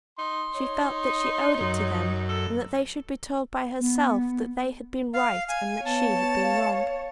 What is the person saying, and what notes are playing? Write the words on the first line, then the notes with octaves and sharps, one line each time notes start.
She felt that she owed it to them that they should be told by herself that they had been right and that she had been wrong.
D#4 C6
D#4 C#5
F#2
A4
B3
F5
F5 G#5
B3 C#5 A5
F5